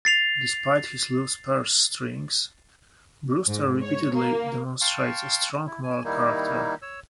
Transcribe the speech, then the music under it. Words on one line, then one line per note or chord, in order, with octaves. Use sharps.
Despite his loose purse strings, Brewster repeatedly demonstrates a strong moral character.
A6 C7 F7
G#2
C#5
A#3
F5 G5 A5 C6 C#6
E4
G#5
D#3 G3 A#3 D#4 E4
C#5 E6